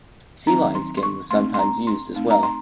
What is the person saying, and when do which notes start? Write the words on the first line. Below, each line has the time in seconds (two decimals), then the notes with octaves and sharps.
Sea lion skin was sometimes used as well.
0.47 D#3 F#3 C4 D#4 A#5
0.75 C6
0.97 C6
1.03 C#6
1.30 A3 C4 D#4 C6
1.54 C6
1.59 A#5
1.87 C6
2.15 A3 C4 D#4
2.31 A#5
2.43 C6